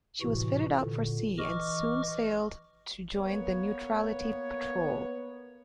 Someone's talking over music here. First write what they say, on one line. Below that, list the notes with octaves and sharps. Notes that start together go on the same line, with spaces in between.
She was fitted out for sea and soon sailed to join the Neutrality Patrol.
A2 C3 E3 F#4
A#2 D3
E3 D#5 C#6 D6 F6
A#3 B3 C#5